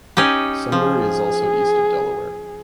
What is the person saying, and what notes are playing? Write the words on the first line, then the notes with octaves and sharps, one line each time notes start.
Sunbury is also east of Delaware.
C#4 D#4 G4
F3 G#4